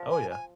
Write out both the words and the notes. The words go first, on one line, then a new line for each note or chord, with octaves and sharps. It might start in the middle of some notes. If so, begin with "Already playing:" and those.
Oh, yeah.
Already playing: F3
G#5
G#5